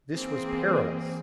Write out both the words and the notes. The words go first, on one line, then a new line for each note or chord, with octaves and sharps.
This was perilous.
E3 A#3 C4 G#4